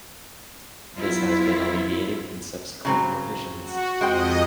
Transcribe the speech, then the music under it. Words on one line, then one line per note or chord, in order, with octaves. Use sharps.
This has been alleviated in subsequent revisions.
F#3 B3 E4 F4
C#3 F#3 C4
F#4
F2 G#3 C5 D#5 G5